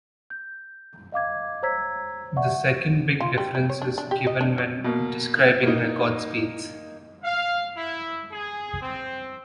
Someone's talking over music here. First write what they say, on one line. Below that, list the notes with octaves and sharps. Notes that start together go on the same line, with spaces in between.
The second big difference is given when describing record speeds.
G6
D#5 F5 D6 G#6
C5 C#5 A#5 E6 G#6 B6
D5 E5 F#5 C#6
F4
G3
G3
C#5
D4
D4
G4
D#5
D4
F#3
B2 A#3
A#3 D#4
F5
E4
G#4
C4